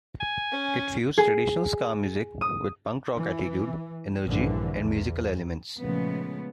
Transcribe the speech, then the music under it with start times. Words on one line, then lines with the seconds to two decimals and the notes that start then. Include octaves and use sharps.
It fused traditional ska music with punk rock attitude, energy and musical elements.
0.21 G#5
0.51 C#4
1.18 G#4
2.41 D#6
3.15 E3
4.26 A#1 G2 D3 E3
4.83 E2
5.80 A#2 C#3 F3 G#3 A3 B3